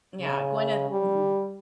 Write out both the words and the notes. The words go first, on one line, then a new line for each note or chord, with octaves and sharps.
Yeah, Gwyneth. Mm-mm.
C#3
G3